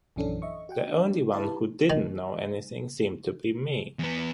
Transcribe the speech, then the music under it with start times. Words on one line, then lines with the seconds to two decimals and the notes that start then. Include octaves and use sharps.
The only one who didn't know anything seemed to be me.
0.16 A#1 F#2 E3 C#4 D4 A4
0.42 D#5 E5 C#6
0.69 F#4 F#5 G5
0.88 D4
1.32 E4 G4 B4 A5
1.90 D#3
3.99 E2 B3